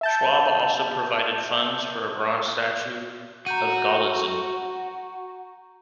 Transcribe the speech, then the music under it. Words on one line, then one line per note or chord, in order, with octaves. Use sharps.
Schwab also provided funds for a bronze statue of Gallitzin.
E5 A5 G6
F#4 A#5 G6 D#7